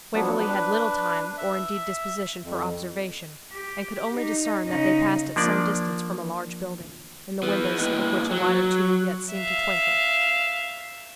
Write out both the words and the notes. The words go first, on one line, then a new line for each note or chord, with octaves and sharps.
Waverley had little time, or indeed disposition, for observation, and could only discern that they passed at some distance from a large building, in the windows of which a light or two yet seemed to twinkle.
F3 F#3 B3 D4
D4 B4
E5
F2
G4
D#4
C#3 D#4
F3 A#3 D4 D5
E3 B3
A#2 E4 B4 D#5
F#3
E5 F5